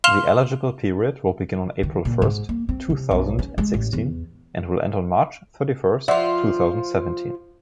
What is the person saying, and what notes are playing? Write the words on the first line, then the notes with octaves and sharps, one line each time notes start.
The eligible period will begin on April first, two thousand and sixteen, and will end on March thirty first, two thousand seventeen.
F5 C6 F6 E7 F7 G7
D#3
A#2
G#2
A#3
C4
C3
B1
C#4
G#3
A1
E2
F3 F4 D5 E5 F#5